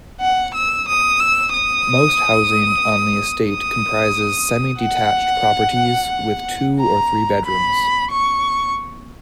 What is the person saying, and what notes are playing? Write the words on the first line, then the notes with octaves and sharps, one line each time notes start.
Most housing on the estate comprises semi-detached properties with two or three bedrooms.
F#5
E6
D#6
E6
D#6
D#6
F#5
A#5
B5
C#6